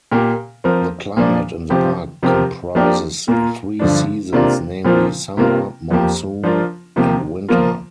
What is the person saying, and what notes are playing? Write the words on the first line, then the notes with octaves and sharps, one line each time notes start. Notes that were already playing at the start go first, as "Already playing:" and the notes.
The climate in the park comprises three seasons namely, summer, monsoon, and winter.
A#2 A#3 G4 A#4
F3 C4 A#4
A#2 F3 A#3 D4
C3 F3 C4 G4
C3 F3 C4 G4 A#4
F3 A#3 D4 G4 A#4
A#2 A#3 F4 A#4
G2 D3 F3 D4
C3 A#3 D4 F4 A#4
A#2 F3 C4 F4 A#4
C3 A#3 F4 A#4
F2 F3 A#3 G4
F3 D4 F4 A#4
C3 F3 A#3 G4
F3 A#3 F4 A#4